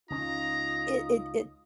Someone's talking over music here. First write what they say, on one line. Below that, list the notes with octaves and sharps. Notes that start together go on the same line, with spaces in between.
it it it
C#2 C#4 D#4 F4 A#5 D#6